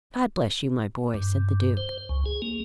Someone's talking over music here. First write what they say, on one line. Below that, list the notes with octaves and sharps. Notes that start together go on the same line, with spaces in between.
"God bless you, my boy!" said the Duke.
G2
C5
C#2
G#4
A#3